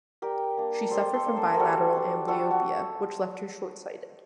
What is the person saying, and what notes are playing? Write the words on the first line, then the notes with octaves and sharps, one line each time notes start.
She suffered from bilateral amblyopia, which left her short-sighted.
G3 G4 A#4
A#3 D4
G3 A4 C5
A4 C5
A#3 D4
A4 C5
A#4
G3 F#4 A4
D4
G3 F#4 A4
F#4